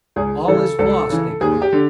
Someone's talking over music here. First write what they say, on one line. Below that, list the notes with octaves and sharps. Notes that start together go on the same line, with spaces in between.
"All is lost!" they cried.
C#2 G#4
C#3 E3 A4
C#2 A4
C#3 E3
D#2 G#4
G4
D3